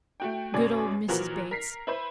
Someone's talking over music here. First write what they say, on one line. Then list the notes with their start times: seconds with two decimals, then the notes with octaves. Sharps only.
Good old Mrs. Bates.
0.20 A3 F#4 G5
0.54 F#2 B2 D5 G#5
1.08 A#2 E3 F3 F#4 A#4
1.51 A#4 B6 C7
1.87 E4 B4 C5